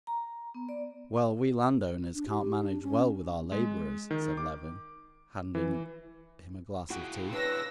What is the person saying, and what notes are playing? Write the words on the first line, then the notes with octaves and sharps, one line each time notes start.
"Well, we landowners can't manage well with our laborers," said Levin, handing him a glass of tea.
A#5
B3
D5
D4
G4
D4
C#4
G#3
D#3
D6
E3
E4 F#4 G#4 G5
D4 B4 C#5 E6 A#6